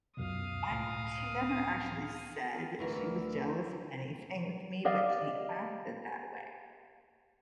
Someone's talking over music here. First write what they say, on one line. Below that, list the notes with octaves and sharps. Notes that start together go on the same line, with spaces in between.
uh, I thought she never actually said she was jealous of anything with me, but she acted that way.
C#2 F#2 B2 F5 D#6
C#2 A2
D2 E3 A#4
G4 D5 D#5 F5